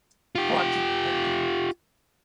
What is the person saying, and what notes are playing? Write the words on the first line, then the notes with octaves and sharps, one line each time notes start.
Huot et.
F4 G4